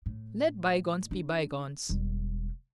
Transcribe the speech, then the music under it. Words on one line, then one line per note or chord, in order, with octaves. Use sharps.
Let Bygones Be Bygones.
A2
D4
E1 G3